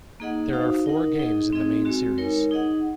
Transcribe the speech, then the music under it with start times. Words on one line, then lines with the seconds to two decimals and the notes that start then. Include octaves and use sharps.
There are four games in the main series.
0.20 A#3 D#4 G#4 D#5 F#5
0.53 D#4 F#4 C5 F5
0.86 D#4 A#4 D#5 F#5
1.19 D#4 G#4 D#5
1.53 C4 D#4 G#4 D#5
1.85 G#3 C4 F#4
2.18 G#3 D#4 A#4 C#5
2.51 D#4 G#4 D#5 F#5